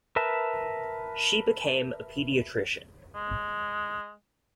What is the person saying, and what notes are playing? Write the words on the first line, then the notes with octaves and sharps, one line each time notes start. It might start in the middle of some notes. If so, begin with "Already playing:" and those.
She became a pediatrician.
A#4 B4 E5 A5
G#3